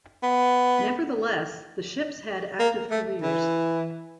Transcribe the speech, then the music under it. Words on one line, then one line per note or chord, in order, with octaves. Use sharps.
Nevertheless, the ships had active careers.
B3
A#3
A3
E3